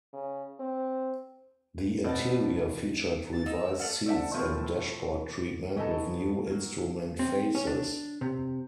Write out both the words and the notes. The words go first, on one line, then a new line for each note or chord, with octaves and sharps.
The interior featured revised seats and dashboard treatment, with new instrument faces.
C#3
C4
B2 C4 D5 D#5 A5
A6
D#4 E6
A3 D5 F#5 F6
A4 C5 D5 E5 F#5 A5
B2 F3 A3 C4 E4 F4
C#3 B3 D#4 E4 A4 A5
F#3 A#3
C4
C#4
D4
C3